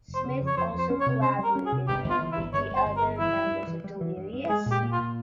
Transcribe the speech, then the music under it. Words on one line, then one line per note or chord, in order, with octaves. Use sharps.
Smith also collaborated with the other members of Delirious?
F1
C5
C#3
F2
C#5
F2 C5
F2 C5
C#4
C#5
C3
C#4 C5
G3
A#4
C#4
G#4
C3
G1 G4
G1
F4
E3
E4
G1
G1 C#5
G1
C5
G1
A#4
G1
E3 E4
G3
G2
E3
G3
E3
G2
G2
G#3 G#4
A#2
G4
A#2
F4
A#2